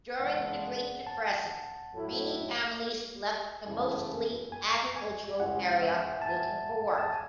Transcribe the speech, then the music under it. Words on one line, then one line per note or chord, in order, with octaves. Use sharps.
During the Great Depression many families left the mostly agricultural area looking for work.
C#3 E3 G#3 B3 D4 F#5
A5
A2 F#3 A3 E4
C#3 E3 A3 E4 G#5
G#5
G#5
C#2 C#3 G#3 C#4 E4 F#5
E5
A5
G#5
A5
G#5